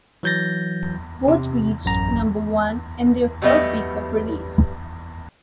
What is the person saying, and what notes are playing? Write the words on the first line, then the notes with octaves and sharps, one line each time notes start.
Both reached number one in their first week of release.
E3 F#3 G6 A6 A#6
C3
A1 F#2 A#5
F#3 G3 A3 B3 D#5 E5